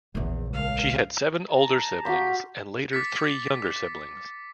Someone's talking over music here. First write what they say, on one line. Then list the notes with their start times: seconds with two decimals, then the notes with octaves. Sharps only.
She had seven older siblings and later three younger siblings.
0.15 A#1 E2 C#3
0.53 C#2 F5
1.49 A5 A#5
2.05 F#4 G4 F5 C6
2.92 D6 A6 B6 C#7